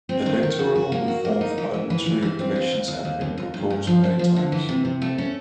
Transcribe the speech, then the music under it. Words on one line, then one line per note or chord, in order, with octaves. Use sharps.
Electoral reform for parliamentary elections have been proposed many times.
C4
D#3
D#3
F#4
F#4
A#3
F#4
A#3
D#4
E3
E3
E3
E3
E3
C4
D#2
D#2
D#2
D#2
D#2
D#2
G2
G2
F3
F3
F3
D3
E3
C3
C3
A3
C#4